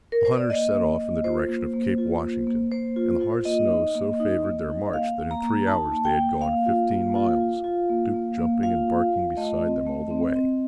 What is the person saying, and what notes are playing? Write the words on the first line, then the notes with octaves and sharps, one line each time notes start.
The hunters set off in the direction of Cape Washington, and the hard snow so favoured their march, that in three hours they had gone fifteen miles, Duk jumping and barking beside them all the way.
A#4
C5
D5
A#3 D#5
A#3
A#3
F4 C5
A#3
A#3
F4
A#3
A#3
A#3 C5
F4
F4
A#3 D#5
D#4
A#3
D#4
A#3
D#4
A#3 F5
A#3
A#5
A#3
D#4 A5
A#3
G5
A#3
A#3 F5
F4
A#3
F4
F4
F4
A#3
A#3
A#3
F4 F5
F4
F4
A3 D#5
C4
A3
C4
C4